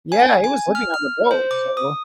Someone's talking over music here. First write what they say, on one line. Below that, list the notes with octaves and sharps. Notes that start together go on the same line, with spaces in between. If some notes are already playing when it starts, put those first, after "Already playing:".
Yeah, he was living on the boat, so.
G#5
G#5
F6
F6
C5
D6
D#6